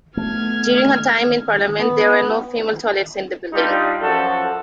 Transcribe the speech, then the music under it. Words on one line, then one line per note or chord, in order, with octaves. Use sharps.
During her time in Parliament there were no female toilets in the building.
A3 B3 F6 G#6
B3
G3 D4 D#4 F4
F#2 F3 F#4 A4